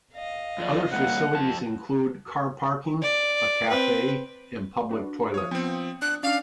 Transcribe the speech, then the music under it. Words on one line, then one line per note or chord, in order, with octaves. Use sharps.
Other facilities include car parking, a cafe and public toilets.
D#5 F5
F#2 F3 D5
B2 G3 A#3 F#5
F2 A5
D5
C4 B4
D4 F#4 B4
F3 C#5 F5 D#6
F3 B3 C4 G5 C#7
D4 F#6
C#4 D4 D5 F5